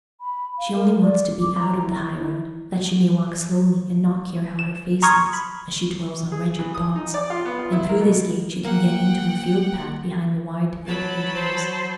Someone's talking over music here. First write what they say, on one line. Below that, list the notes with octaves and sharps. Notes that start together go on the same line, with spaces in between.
She only wants to be out of the high-road, that she may walk slowly and not care how her face looks, as she dwells on wretched thoughts; and through this gate she can get into a field-path behind the wide thick hedgerows.
B5
F5
A#4
D5
D6
A#5
E4
E4
E7
A#5 C6 C#6 D#6 F6 G#6
B5
G#4
E3
D#6
D#4
D5
F4
B3
F4
E4
A#4
B2
A#3 F#5 G5
F#3 A5 B5
C5